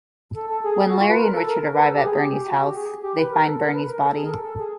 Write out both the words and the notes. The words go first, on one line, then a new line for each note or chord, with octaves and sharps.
When Larry and Richard arrive at Bernie's house, they find Bernie's body.
A4
A4
G#4
G#4
F#4
F4
B4
A#4
A4
A#4
A#4
B4
A4
G4
G#4
G4
G4
F#4
G4
G#4
G4
B4
A#4
A4
A#4
B4
A#4
A4
G#4
A#4
A4
A4
G#4